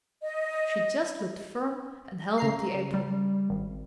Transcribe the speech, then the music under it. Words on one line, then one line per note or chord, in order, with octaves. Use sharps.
She just looked firm and held up the apron.
D#5
C#3 A#5 C7
G3
G#1